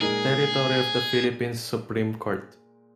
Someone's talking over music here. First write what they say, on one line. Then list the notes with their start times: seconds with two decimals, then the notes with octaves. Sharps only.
Territory of the Philippines Supreme Court.
0.01 A#2 G#3 D#4 G#4 A#4